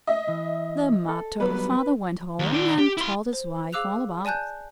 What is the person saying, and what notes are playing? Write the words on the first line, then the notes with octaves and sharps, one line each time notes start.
The Mud Turtle Father went home and told his wife all about it.
D#5 E5
E3
A4
F#3 G3 B3 B4
D#2
D#3 D5
G4
E4 C6
C5
G#4 F5 D6 E6 F#6 F7
D5 G#5 A5 F#6 G6